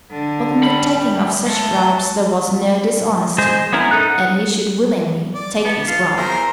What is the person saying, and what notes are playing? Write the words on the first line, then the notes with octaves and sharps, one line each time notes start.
But in the taking of such bribes there was no dishonesty, and he should willingly take this bribe.
D3
G3 B5
G#3 A3 A5 G6
G#3 C5
B3 C#4 E4 A#4
D#4 A4 F#6
F#5
D5
B3 A5
F4
E2 A#4 C5 A#5